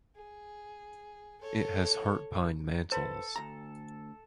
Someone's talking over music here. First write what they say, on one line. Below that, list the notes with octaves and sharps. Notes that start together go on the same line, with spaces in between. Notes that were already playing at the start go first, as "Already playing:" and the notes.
It has heart pine mantels.
G#4
A4 C#5
A4 B4 C5
D2 A#5